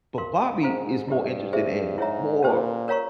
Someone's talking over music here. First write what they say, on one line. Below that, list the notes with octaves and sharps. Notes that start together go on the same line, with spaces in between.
but Bobby is more interested in more
A#4 F5 C6
G#2 C5 F5 A#5
G2 E4 G4 C5
G#4 C5 E5
G#2 E4 G#4 C#5 E5 A#5
A#2 C#4 G4 C5
A#4 C#5 F5 A#5 C#6